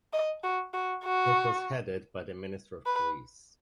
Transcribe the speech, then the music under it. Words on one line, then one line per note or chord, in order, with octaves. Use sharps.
It was headed by the Minister of Police.
D#5
F#4
F#4
F#4
B4